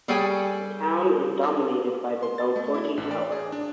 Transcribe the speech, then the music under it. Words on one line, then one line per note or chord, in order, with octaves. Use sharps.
The town is dominated by the Belforti tower.
G3 G#4 A4 C#5 G5 G#5
C6
A6
A3
E4
A1
D5
G#4
D4